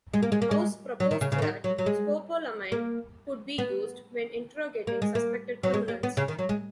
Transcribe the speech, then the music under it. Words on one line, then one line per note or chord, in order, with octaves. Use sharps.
House proposed that scopolamine could be used when interrogating suspected criminals.
G#3
A#3
G#3
A#3
G#3
F#3
D#3
C#3
C#3
E3
D#3
F#3
F#3
G#3
A#3
B3
A#3
G#3
A#3
F#3
G#3
A#3
B3
C#3
D#3
F#3
G#3